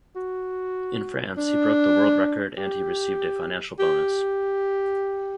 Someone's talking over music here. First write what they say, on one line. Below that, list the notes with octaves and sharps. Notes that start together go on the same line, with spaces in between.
In France he broke the world record and he received a financial bonus.
F#4
D4
G4
G4